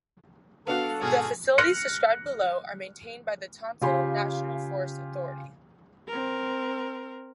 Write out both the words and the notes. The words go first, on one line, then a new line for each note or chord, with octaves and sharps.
The facilities described below are maintained by the Tonto National Forest authority.
B3 D4 F#4 A4 F5
G#1 B2 G#4 F6
F6 F#6 A#6 C#7
C#3 F4 G4 G#5 C6
C4 A#4